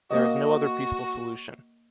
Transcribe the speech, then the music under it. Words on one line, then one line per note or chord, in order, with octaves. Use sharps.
There is no other peaceful solution.
A#3 F#4 D#5